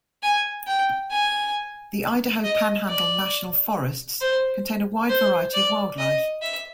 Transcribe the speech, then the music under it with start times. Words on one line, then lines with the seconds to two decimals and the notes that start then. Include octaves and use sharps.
The Idaho Panhandle National Forests contain a wide variety of wildlife.
0.23 G#5
0.67 G5
1.11 G#5
2.44 D#5
2.88 D5
4.21 C5
5.10 C5
5.54 D5
5.99 D#5
6.42 E5